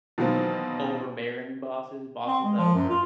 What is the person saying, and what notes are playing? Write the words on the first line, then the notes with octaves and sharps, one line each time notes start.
overbearing bosses. Bosses that were
B2 D#3 E3 F#3 A#3 C4
C4
G#3
F3
F#2
F4